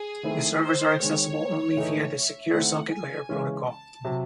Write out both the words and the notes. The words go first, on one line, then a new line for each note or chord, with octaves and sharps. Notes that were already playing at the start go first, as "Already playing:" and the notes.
The servers are accessible only via the Secure Socket Layer protocol.
Already playing: G#4
D#3 A3 C4 E4
C5
D#3 G#3 C4 C#5
A2 E3 A3 D#4 A4
E5
D#3 A3 C4 E4 F#5
G#5
C#3 E3 G#3 C#4
A5
C3 F#3